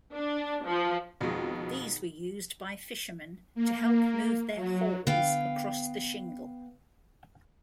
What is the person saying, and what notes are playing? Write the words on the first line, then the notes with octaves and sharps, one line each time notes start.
These were used by fishermen to help move their hauls across the shingle.
D4
F3
F2 B2 D#3 G#3
A#3
F#3
D3 B3 F5 G5